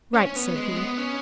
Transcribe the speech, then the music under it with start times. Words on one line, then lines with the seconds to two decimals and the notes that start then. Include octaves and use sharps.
"Write!" said he.
0.14 C#4
0.26 C#4
0.36 B3
0.55 G#3
0.76 B3
0.98 C#4